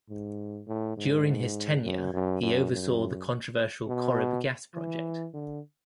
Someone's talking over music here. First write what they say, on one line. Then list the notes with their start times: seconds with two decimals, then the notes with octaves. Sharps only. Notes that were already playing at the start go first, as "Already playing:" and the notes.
During his tenure he oversaw the controversial Corrib gas project.
0.10 G#2
0.68 A2
0.97 G#2
1.84 F#2
2.13 F#2
2.42 F#2
2.71 F#2
3.87 B2
4.75 E3
5.34 D3